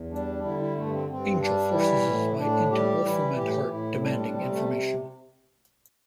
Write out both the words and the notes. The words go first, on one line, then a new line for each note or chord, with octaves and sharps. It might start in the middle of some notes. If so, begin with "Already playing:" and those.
Angel forces his way into Wolfram and Hart, demanding information.
Already playing: E2
G3 D4
D3 E4
E4
G2 A3
C4
G2 C4
G3 D4
E3 E4
A2
A2 D4
G3 G4
E3 E4
A2 G4
A2 E4
G3 D4
C4
D4
C3 C4
A3